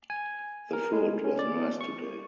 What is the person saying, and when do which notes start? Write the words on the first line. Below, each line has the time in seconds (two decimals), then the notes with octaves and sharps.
The food was nice today.
0.10 G#5
0.73 A#4
0.93 G#3
1.24 C#4
1.39 D5
1.81 C#6